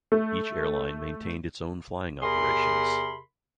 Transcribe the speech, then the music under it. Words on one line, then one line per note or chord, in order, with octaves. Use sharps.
Each airline maintained is own flying operations.
A3
E2 C3 G#4 A#4 B5 C6